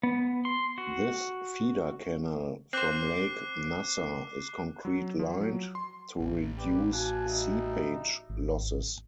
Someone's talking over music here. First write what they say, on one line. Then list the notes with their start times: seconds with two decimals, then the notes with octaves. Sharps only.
This feeder canal from Lake Nasser is concrete lined, to reduce seepage losses.
0.03 B3
0.45 C6
0.78 F#4
2.73 C4 C5 D6 F#6 C7
4.85 F#3
5.19 F3
5.41 F#3
5.75 C6
6.19 A1
6.59 G4 B4 D5 D6
6.93 F#4 F5 G#5 A5
7.28 G3 D#4 E5
8.29 G#1